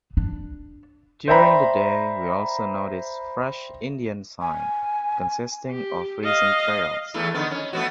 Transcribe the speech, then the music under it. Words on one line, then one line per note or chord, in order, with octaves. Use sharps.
During the day we also noticed fresh Indian ‘sign’, consisting of recent trails.
D4
C5 D5 E5 G5 A#5 B5
G#5
G4
D#5 F5
E2 E3 A3
D3 D#3 B3
C#4
A3 B3 F#4